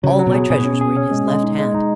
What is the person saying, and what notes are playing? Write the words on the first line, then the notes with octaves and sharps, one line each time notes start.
All my treasures were in his left hand.
C#3 F#3
F#3
B2
G#4
B2 G#4
C#4
G#4
C#4
G#3
G#3
D#4
G#3
D#4